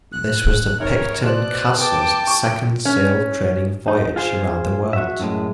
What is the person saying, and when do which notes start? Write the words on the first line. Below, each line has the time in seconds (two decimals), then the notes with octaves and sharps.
This was the "Picton Castle's" second sail-training voyage around the World.
0.12 F#6
0.80 G#1 A#4 C#5
1.24 B2 C5 D5 F#6 E7
1.79 B3 G5 A5 D6
2.27 C#6
2.85 C#4
3.88 D#4
4.16 F4 G#4 C5
4.93 F#4 E5
5.20 F#2 A2 G#3